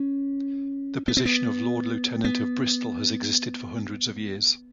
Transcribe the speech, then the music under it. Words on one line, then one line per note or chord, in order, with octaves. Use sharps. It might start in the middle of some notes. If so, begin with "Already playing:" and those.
The position of Lord-Lieutenant of Bristol has existed for hundreds of years.
Already playing: C#4
B3
C4
B3
B3